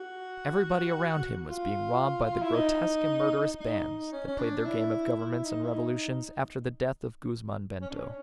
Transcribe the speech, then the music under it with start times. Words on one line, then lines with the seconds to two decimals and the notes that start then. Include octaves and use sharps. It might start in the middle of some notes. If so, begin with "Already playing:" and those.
Everybody around him was being robbed by the grotesque and murderous bands that played their game of governments and revolutions after the death of Guzman Bento.
Already playing: F#4
1.48 F4
2.42 E4
2.54 D#4
3.60 D#4
4.12 C#4
4.27 C#4
4.39 D4
4.65 E4
5.18 E4
5.44 D#4
5.63 E4
5.71 D#4
7.82 C#4
7.90 D4
7.98 C#4